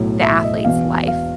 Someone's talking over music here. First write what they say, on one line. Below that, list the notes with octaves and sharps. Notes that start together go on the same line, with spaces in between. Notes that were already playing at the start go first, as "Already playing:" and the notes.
the athlete's life.
Already playing: B1 A2 F#3
E5
D#5
E1 E2 B2 F5
F5